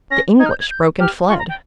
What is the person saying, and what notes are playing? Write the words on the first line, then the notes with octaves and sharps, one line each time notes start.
The English broke and fled.
C#4 A#6
D#4 G#6
F6
G6
G#6
G6
G4 F6
F4 C#6
A#5
G5